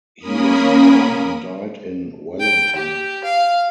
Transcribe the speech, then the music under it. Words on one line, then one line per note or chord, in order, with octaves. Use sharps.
He was born and died in Wellington.
A#3 C#4 A#4 B5 D#6
G5
G4
F5